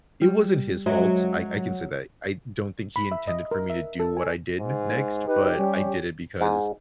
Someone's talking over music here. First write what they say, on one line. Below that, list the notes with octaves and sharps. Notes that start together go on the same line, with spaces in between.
it wasn't his fault. I I can say that. I don't think he intended for me to do what I did next, but I did it because
G3
F#2 F#3 G#3 E5
B5
E5
D#5
A#4
E5
A4
G#5
G#2
D#4 G4 B4
G3 C#4
G#2